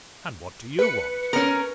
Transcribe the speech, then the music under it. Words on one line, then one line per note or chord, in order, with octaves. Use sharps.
And what do YOU want?
B4 C#7
C#4 A#4